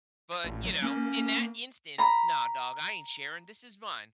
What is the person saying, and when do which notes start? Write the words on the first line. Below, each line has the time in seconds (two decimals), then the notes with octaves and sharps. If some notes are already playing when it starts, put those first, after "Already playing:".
But, you know, in that instance, "Nah, dawg. I ain't sharing. This is mine."
0.44 A1
0.65 F#3
0.82 A#3 C#4
1.98 A#5 B5